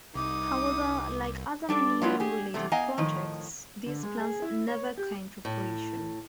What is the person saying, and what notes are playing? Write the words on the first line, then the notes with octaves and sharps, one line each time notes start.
However, like other Millennium-related projects, these plans never came to fruition.
C2 D#4 D6 D#6
G3 D4 A4 D5
F#3 G#3 E4 F4 B4
G4 G#4
E2 C3 A3
B3 D#5 F5 G#5 A#5
A2 D#3 F3 D#5
D3
G#3
G#4
E4
C#5
G4
A2